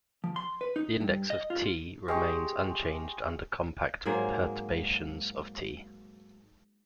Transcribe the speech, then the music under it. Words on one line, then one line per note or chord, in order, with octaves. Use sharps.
The index of "T" remains unchanged under compact perturbations of "T".
F3
C6
B4
D#4
G2
D#5
F4
G#3 G4 C#6
G#2 F#3 A#3 G#4